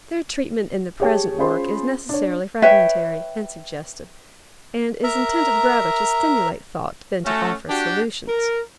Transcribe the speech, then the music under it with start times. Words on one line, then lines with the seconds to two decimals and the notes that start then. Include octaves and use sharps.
Their treatment in the present work is necessarily fragmentary and suggestive; and is intended rather to stimulate thought, than to offer solutions.
1.00 G4 G#4 C#5 G5 A5
1.38 C#4 F4 G#4 C5 B5 C6
2.09 D4 C#5
2.62 B4 C#5 E5 G5
5.03 A#4 E5 A#5
7.25 A3 C#4 F#4
7.68 D4 F#4 G4
8.28 A#4